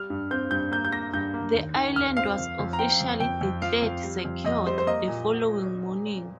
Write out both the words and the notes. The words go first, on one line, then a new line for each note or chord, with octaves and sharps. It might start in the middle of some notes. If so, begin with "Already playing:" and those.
The island was officially declared "secured" the following morning.
Already playing: G3 F6
G2
C4 G6
G2 G6
A#3 G6
G6
A#3 A#6
G2 G6
A#3
D#2
D#3
D#2 F6
C4 F5
F2
F2
A#5
C4 G5
F2
F2 G5
F2
F3 F5
F2
G3
F2
F2 D#5
G3 C5
C5
A#3 D#5
A#2